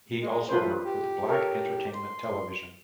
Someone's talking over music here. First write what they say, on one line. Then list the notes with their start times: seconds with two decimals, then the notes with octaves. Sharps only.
He also worked with Black Entertainment Television.
0.21 G#3
0.49 E3 F#3 A3 F4 B4 C5
0.85 G4
1.27 A4 A#4 C#5
1.94 C6